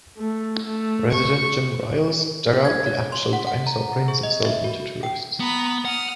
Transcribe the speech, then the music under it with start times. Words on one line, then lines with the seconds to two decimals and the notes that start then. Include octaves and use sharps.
Resident Jim Ryals dug out the actual dinosaur prints and sold them to tourists.
0.18 A3
0.66 A3
1.13 C#6
2.65 G#6
2.86 C#5
3.12 C6
3.33 F#5
3.47 F#5
3.67 A#5
4.08 G#4
4.23 D#5
4.45 E5
4.64 F#4
5.03 G5
5.40 B3 A#5 B5
5.85 F#5 D#6 F6